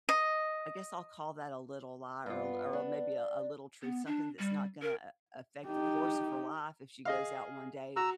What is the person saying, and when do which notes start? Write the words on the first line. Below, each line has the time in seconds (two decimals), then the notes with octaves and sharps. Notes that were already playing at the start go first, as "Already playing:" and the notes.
I guess I'll call that "a little lie" or a l or a maybe a "a little truth," something that's not gonna a affect the course of her life if she goes out one day
0.09 D#5
2.26 G2 B3 F4
2.73 D4
3.82 B3
4.06 D4
4.39 G3
4.82 A#4
5.67 D#4 G4
7.05 G#4 D#5 F5
7.96 F#4 A#5 E6